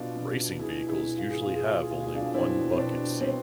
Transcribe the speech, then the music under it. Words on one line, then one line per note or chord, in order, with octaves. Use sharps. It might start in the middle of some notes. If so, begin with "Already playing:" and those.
Racing vehicles usually have only one bucket seat.
Already playing: B2 D4 F4
B2
B2 E4 G#4
E4 G#4
B2
F4
G#4
F4
B2
G#4
F4
G#4
B2 F4
G#4
D4 F4
B2 C4 E4
C4
B2 D4
B2 C4